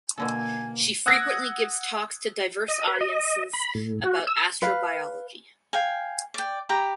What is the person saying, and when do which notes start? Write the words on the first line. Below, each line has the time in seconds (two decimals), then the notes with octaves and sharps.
She frequently gives talks to diverse audiences about astrobiology.
0.18 B2 D3 A#3 A4 G#5
1.06 F#5 D#6 E6 F#6 G#6 A#6
2.68 D#5
2.88 B4
3.01 D#5
3.53 B5
3.75 A2
4.04 F#4
4.27 E6
4.62 B4 F5
5.73 F5 G5 G#5
6.34 D5 G5
6.69 G4 G5 A#5 B5